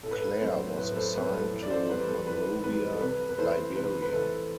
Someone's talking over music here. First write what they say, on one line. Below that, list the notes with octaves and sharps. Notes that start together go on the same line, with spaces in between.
Clair was assigned to Monrovia, Liberia.
A2 A4
B4
A4
F#3 A3 C4 A4 C5
A2 B4
A4 C5
F#3 A3 C4 B4
A4
E3
D5
A4 C5
G3 C4 B4
A4
E3 B4
G3 C4 B4
A4
C3 B4
B4
E3 A3 A4 C5
C3 B4
B4
E3 A3 A4